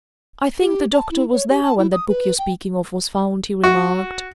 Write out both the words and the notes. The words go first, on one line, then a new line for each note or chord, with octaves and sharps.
"I think the doctor was there when that book you're speaking of was found," he remarked.
G4
A5
E4
C#5
G4
A5
E4
D#6
B4
G5
F#4